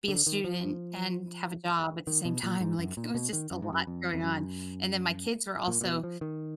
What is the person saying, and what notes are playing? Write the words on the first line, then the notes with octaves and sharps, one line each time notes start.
be a student and have a job at the same time. Like, it was just a lot going on, and then my kids were also
D3
D#3
F3
D#3
B2
A#2
G#2
F#2
A#2
B2
D#3
F#2
G#2
F#2
F2
F2
F#2
A#2
A#2
B2
F3
D#3